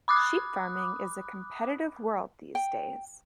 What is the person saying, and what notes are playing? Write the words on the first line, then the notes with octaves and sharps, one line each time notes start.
Sheep farming is a competitive world these days.
B5 D6 D#6 F#6
G5